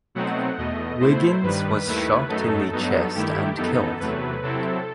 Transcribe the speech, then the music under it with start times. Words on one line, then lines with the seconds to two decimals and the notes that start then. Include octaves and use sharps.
Wiggins was shot in the chest and killed.
0.15 B2 F#3 A3 C4 D#4 F#5
0.58 E2 B2 A3 D#5
1.00 B2 A3 E4 C5
1.43 G2 D#3 G3 B4
1.86 D#2 D#3 A3 E4
2.28 F#2 F#3 A3 D#4 A4
2.72 G2 F#3 B3 D#4
3.15 G2 D#3 A3 E4 G4
3.57 F#2 E3 B3 D#4 A4
4.00 E2 C3 F#3 A3 B4
4.43 C3 F#3 C4 E4 A4